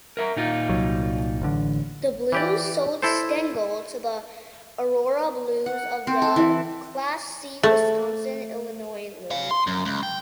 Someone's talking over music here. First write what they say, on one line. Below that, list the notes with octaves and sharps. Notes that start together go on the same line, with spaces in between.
The Blues sold Stengel to the Aurora Blues of the Class C Wisconsin-Illinois League.
A#4 E5 A#5
A#2 D#4 F4
C2 F#3
A1 D3
E3 G4 D5
E4 A4 C5
F#5
C4
A4
E3
A3
F5 G#5
C6
F#2
C#2
G5